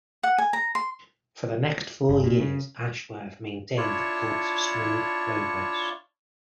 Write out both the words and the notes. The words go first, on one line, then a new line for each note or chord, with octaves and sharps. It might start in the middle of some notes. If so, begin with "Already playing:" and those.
For the next four years Ashworth maintained the club's smooth progress.
F#5
G#5
A#5
C6
G1
A#2
C#3
D4 E4 F4 C#5 A5 C#6